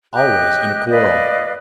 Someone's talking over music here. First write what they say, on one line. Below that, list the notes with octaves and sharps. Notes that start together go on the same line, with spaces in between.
Always in a quarrel.
G4 D#5 F#6
B4 D5 D#5 F5